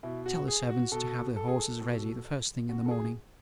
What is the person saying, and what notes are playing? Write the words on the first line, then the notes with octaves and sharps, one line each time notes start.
Tell the servants to have the horses ready the first thing in the morning.
B2 E4
F#4
G#4
F#4
B2 A4
A4
G#4
A4
B2
B2 F#4
A4
G#4